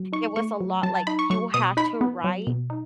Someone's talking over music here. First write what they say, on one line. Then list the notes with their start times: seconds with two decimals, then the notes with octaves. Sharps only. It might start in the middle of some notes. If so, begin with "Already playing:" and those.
it was a lot, like, you had to write
Already playing: F#3
0.13 D#4 C#6
0.36 A3 C#6
0.61 F#3
0.83 F#3 A5
0.95 A5
1.07 D#4 B5
1.19 C#6
1.30 F#3 C#6
1.54 B2 D#6
1.77 D#4 B5
2.01 B3
2.24 F#3
2.47 B2
2.70 D#4